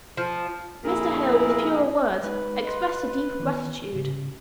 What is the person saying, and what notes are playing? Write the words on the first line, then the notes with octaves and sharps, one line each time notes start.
Mr. Hale with fewer words expressed a deeper gratitude.
F3
F2 A#2 G#3 E4 G#4 A#4
G#3 D#4 B4
D#5 C6
D#3 E3 B3
G#2 C#3